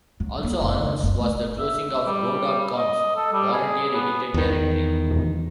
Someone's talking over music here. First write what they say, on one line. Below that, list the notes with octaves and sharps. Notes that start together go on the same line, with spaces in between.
Also announced was the closing of Go dot com's volunteer-edited directory.
F#3
A#3
F1
C#2
F#1 F#2
A3
E5
E5
G3
D#5
A4
G3
G#4
B3
E2 D#3